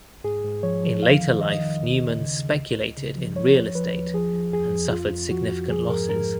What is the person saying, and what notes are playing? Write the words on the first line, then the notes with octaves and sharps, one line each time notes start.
In later life Newman speculated in real estate and suffered significant losses.
G#2 G#4
G#2
F3 C#5
F3
F2 F5
D#3
D#3 D#5
D#3
D#2
C#3
C#3
C#3
C#2
C#2
C#3
F3
F3 C#5
D#2
F3 B4
D#2
F3 G#4
F3
F2 G#4
F2
F2 F4
F2
F3 F#4
F2
F3 G#4
G#2 A#4
G#2 A#4